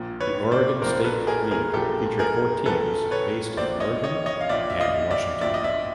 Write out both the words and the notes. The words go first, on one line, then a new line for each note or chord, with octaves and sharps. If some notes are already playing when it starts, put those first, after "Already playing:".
The Oregon State League featured four teams based in Oregon and Washington.
Already playing: A#1 A#2
B4 C#5
C5 D5
A#1 A#2 A#4 C5
A4 B4
G#4 A#4
G#4 A#4
A#1 A#2 G4 A4
G#4 A#4
A#1 A#2 A4 B4
B4 C#5
A#1 A#2 C5 D5
C#5 D#5
C#5 D#5
C#5 D#5
F5
A#1 A#2 D5 E5
E5
D#5 F5
D5 E5
A#1 A#2 D5 E5
D#5
D5 E5